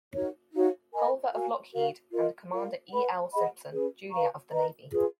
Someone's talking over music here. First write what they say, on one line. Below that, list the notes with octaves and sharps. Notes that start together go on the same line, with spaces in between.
Pulver of Lockheed and Commander E. L. Simpson, Junior of the Navy.
D#4 F#4 A#4 C#5
D#4 F#4 C#5 F5
A#4 D#5 G#5 B5
F#4 A#4 F5 G#5
F#4 A#4 F5
F4 A#4 D#5
F4 A#4 F5
B4 F#5 B5
G#4 D#5 F#5 B5
C#4 G#4 B4
B4 F5 A#5 C#6
B4 D#5 A#5
F4 G#4 B4